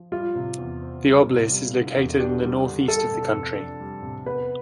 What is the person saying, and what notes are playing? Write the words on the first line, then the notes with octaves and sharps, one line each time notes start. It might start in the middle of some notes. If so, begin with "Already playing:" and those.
The Oblys is located in the northeast of the country.
Already playing: F3
G3 F4
C3
E2
C4
G3
C3
G3
D3
E2
D4 G4
G3
D3
G3 A4
C3
F2
D4
G3
C3
B3 B4